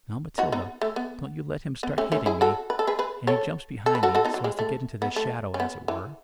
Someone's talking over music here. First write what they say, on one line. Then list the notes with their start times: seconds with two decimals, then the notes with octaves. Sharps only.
Now, Matilda, don't you let him start hitting me.' And he jumps behind me, so as to get into the shadow, as it were.
0.38 D#4 F#4
0.52 B3 D#4
0.81 A3
0.96 B3
1.83 B3
1.98 A3 C#4
2.12 A3 C#4
2.26 E4 G#4
2.41 F#4 A4
2.70 B4
2.79 A4
2.87 G#4 B4
2.99 G#4 B4
3.27 A4 C#5
3.86 A4
3.95 B4
4.03 F#4 A4
4.15 F#4 A4
4.25 B3 D#4
4.34 F#3
4.44 G#3
4.59 A3
5.02 B3
5.16 A3
5.54 C#4
5.60 B3
5.88 E3